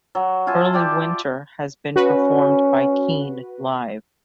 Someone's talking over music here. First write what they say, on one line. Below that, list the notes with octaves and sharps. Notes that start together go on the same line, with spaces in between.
Early Winter has been performed by Keane live.
F#3
F4 E5 G#5 A5
G4 D5 G5
C#4 F#4 B4